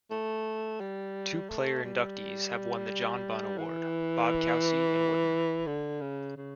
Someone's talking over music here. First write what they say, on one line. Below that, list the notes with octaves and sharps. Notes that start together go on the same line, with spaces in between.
Two player inductees have won the John Bunn Award-Bob Cousy and Wooden.
A3
G3
A3
G3
E3
D3
C#3
C#3